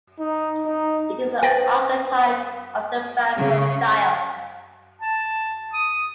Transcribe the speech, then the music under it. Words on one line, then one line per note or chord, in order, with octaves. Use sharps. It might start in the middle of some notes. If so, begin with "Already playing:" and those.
It is the archetype of the Baphuon style.
D#4
D#4
B4 C5 G5 A6 A#6
C#3
A5
D#6